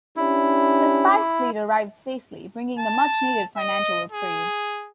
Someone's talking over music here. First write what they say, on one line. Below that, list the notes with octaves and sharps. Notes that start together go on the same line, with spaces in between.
The Spice Fleet arrived safely, bringing the much needed financial reprieve.
C#4 D4 E4 G4
A5
D#5
G#4